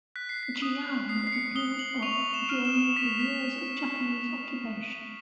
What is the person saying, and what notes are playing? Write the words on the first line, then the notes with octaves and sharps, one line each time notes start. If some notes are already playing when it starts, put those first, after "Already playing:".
Jiang grew up during the years of Japanese occupation.
F#6 B6
C7
B6
D#6
D#6 C7
C7
C#7
D#6 G7
F#7
C#6 F7
E7
F6
E7
C#6 B6
B6